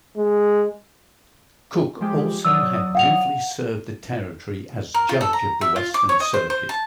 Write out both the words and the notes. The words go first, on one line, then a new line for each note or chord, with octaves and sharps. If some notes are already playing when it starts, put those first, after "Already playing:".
Cook also had briefly served the territory as judge of the western circuit.
G#3
F3 G#3 G4
F#3 D5 D#6 E6
F5 F#5 F7
A#4
F4
A4
A#5
E5
F4
D6
C#5
D#5
C5
C5
A5